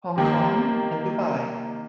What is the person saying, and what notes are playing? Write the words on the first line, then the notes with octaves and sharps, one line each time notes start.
Hong Kong and Dubai.
C3 D#3 A#3